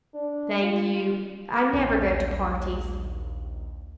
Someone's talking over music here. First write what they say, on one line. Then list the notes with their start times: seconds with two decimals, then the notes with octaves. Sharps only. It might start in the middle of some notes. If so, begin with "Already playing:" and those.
'Thank you, I never go to parties.'
0.14 D4
0.63 F4
1.73 A#1 D#2